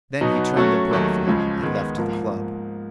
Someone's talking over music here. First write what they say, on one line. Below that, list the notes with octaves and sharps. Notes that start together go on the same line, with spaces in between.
Then he turned abruptly and left the club.
B2 F#3 B3 D#4 F#4
F#3 A3 C#4 F#4
D#2 D#3 F#3 A3
C#2 C#3 F3 G#3
D#3 G#3 B3
G#2 F3 A#3